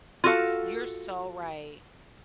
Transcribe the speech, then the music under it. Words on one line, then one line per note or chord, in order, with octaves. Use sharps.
you're so right.
F4 F#4 A4 F5